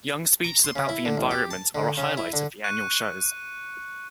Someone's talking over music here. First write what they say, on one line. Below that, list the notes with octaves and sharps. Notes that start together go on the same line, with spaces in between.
Young's speeches about the environment are a highlight of the annual shows.
A#5
C6
C#3
E4
D3
A1
G4
A5
D3
C#3
E4
D3
C#6 F#6 C#7 D#7